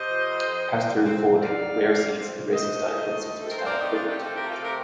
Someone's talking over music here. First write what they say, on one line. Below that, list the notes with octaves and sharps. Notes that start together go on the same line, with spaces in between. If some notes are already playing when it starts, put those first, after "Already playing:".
Pass-through folding rear seats and racing style front seats were standard equipment.
Already playing: C3 C5 D#5
F3
F2
F2
D3
G3
C4
C4
F2 D5 F5
D#3
A3
C4
C4
F2
D3 C5 D#5
A3
A3
D2
A3
A4
C4 A#4
C5
C4 A#4 D5
D#4 G4
A3
D4 F4
C3 D#4 G4
C4 F4 A4
A3 G4 A#4
F4 A4
C3 G4 A#4